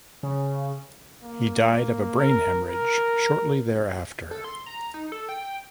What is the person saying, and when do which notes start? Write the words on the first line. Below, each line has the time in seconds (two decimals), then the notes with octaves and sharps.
He died of a brain haemorrhage shortly thereafter.
0.23 C#3
1.23 A#3
2.19 A#4
2.70 A#4
4.31 A4
4.44 C6
4.66 A#5
4.94 D#4
5.12 A4
5.29 G5